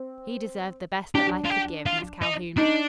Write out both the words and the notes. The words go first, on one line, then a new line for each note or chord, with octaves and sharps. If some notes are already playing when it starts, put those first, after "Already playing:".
"He deserved the best that life could give, Miss Calhoun."
Already playing: C4
D4 G4
F4
G4
F4
D#4
D4 D#4